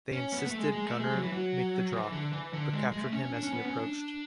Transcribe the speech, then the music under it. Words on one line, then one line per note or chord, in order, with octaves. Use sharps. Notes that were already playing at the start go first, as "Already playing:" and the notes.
They insisted Gunnar make the drop, but captured him as he approached.
C#4
B3
A3
G#3
G#3
A3
G#3
F#3
E3
F#3
E3
D3
E3
D3
G#3
G#3
A3
C#4
C#4
D4
C#4
B3
C#4
D4